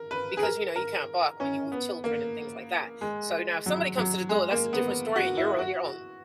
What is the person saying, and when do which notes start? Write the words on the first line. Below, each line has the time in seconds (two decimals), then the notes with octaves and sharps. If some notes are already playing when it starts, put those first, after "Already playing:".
because, you know, you can't bark when you're with children and things like that. So, now if somebody comes to the door, that's a different story, and you're on your own,
Already playing: A#4
0.11 B4
0.37 G#4
0.43 A#4
0.76 A#4
1.40 C#4
1.72 B3
2.04 A#3
3.01 G#3
3.66 F#3
3.97 F#3
4.29 G#3
4.51 A#3
4.73 B3
5.16 F#4
5.37 E4
5.59 F#4